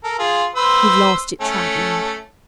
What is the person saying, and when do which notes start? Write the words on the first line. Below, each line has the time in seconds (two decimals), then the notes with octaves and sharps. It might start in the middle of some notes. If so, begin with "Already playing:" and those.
"You've lost it travelling."
0.04 A4 A#4
0.19 F4 G#4
0.56 B4 C5 E6
1.41 A3 C#4 A4